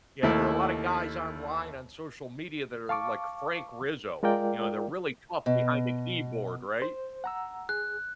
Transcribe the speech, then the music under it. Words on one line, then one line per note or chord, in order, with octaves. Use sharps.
You know, there are a lot of guys online on social media that are like Frank Rizzo, you know, they're really tough behind the keyboard, right?
D#2 A3 E4
F5 A5 C#6 D6
G#3 F4 A#4 D5 F5 G5
B2
C5
F#5 A#5 E6
G#4 F#6